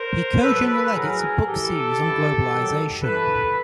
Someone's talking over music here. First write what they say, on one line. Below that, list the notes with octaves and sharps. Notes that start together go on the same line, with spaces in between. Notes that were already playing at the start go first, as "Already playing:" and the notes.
He co-general-edits a book series on globalization.
Already playing: A#4 C5
B2 F#3 A4 B4
A2 F#3 G#4 A#4
A2 E3 G4 A4
G2 E3
G#2 D#3 F#3
G2 E3 A4 B4